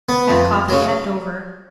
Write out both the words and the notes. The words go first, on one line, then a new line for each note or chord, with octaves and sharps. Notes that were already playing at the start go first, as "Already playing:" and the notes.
Have coffee at Dover.
B3
F2
C#3 F#3